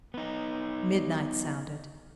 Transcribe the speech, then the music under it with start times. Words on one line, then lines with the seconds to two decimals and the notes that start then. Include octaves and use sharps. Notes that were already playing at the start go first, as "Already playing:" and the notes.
Midnight sounded.
0.14 B3 D#4